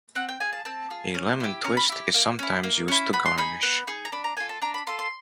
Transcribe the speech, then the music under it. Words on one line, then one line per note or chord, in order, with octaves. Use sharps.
A lemon twist is sometimes used to garnish.
C4 F#5
G5
F4 G#4 G#5
A5
C4 A5
F4 G#4
C#4
E4 G4
C#4 A#5
B5
E4 G4
A#3
C#4 E4
A#3
C#4 E4
B3 B5
C6
D#4 G#4 B5
B3
D#4 G#4
A#5
D4 B5
A#5
F4 A4 G#5
A5
D4 A#5
B5
F4 A4 C6
C6